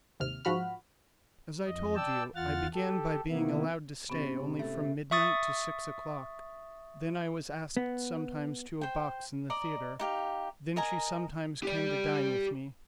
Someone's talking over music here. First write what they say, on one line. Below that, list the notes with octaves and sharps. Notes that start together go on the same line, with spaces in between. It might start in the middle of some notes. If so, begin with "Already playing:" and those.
As I told you, I began by being allowed to stay only from midnight to six o'clock, then I was asked sometimes to a box in the theatre, then she sometimes came to dine with me.
G#1 D#2 C3 F6
G#2 F3 F#4 B5 F6
F2 D#5
D5 G5 A5 E6
E2 F4 F#5 F6 A6
G4 A4
C3 D#3 A#3 B3 E4
G#2 C3 B3 C#4 A6
A3
E5 C#6 D#6 A6
B3
C5 G5
D5 D#5 A#5
D#4 G4 F5
A#4 D#5 G#5 A#5
G4 D5